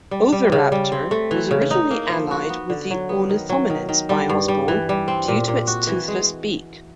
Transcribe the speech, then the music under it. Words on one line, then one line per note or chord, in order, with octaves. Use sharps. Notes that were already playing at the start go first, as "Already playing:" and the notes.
"Oviraptor" was originally allied with the ornithomimids by Osborn due to its toothless beak.
G3
G3
C#3
G3
C4
A3
E3
C#3
D#4
A#3
F3
F#4
B3
D3
F#3
B3
D#3
F#3
D#3
D#3
G3
G2
G3
E3
G3
C4
A#2
A#2
F#4
E3
G#3